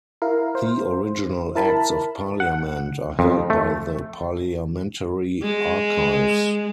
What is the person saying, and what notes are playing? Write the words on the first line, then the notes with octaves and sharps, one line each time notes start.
The original Acts of Parliament are held by the Parliamentary Archives.
E4 A#4 F5
C5
E4 A#4 A5 B5
F#5
F2
A3
G#3